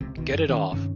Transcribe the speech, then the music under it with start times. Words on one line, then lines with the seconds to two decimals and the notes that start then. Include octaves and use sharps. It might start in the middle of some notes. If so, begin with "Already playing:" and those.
Get it off.
0.01 C#2 C3
0.17 C2 B2 D#3
0.33 F#2
0.49 D#3 C#4
0.72 G2 C3 D#3 C#4